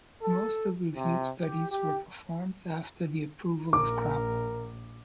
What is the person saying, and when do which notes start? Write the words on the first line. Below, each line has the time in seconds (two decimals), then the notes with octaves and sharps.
Most of reviewed studies were performed after the approval of crop.
0.22 A4
0.96 C3
1.41 G4
1.71 G4
3.73 A#1 A#4 D6